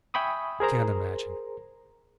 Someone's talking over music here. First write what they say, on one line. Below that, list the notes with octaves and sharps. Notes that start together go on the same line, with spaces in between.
'Can't imagine.
E5 G5 G#5 B5 C#6 D#6
G#4 A#4 C5 A#5